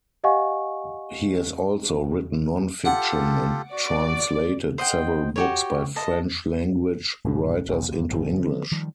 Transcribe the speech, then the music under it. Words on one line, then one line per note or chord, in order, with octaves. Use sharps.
He has also written non-fiction, and translated several books by French-language writers into English.
G4 D#5 F5 F#5 G#5 C#6
F4 G4 A4 F#5
F#4 D5 D6
C5 D#5 F#5 G5
F#4 G4 C#5
D#5 A5
A#1 G2 B2 D3
E1 B1
D#2 G#2
G1 A2 F3
D3 F3
D#3 F3 G3